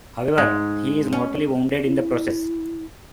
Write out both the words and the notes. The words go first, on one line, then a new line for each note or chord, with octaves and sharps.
However, he is mortally wounded in the process.
G#2 G#3
C#4
E4